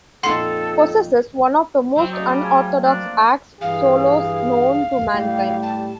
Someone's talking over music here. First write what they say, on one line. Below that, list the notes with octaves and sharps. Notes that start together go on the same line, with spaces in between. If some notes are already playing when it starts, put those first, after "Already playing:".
Possesses one of the most unorthodox 'axe' solos known to mankind.
F2 A#2 D#4 A4 F#5 C6 C7
F#3 C4 F#4
C#3 A3 D#4 F#4 D5
G3 F4
C4 G#5
F3 A#3 D4 D5
G2 E3 G#4 F5
A2 G3 G4
A5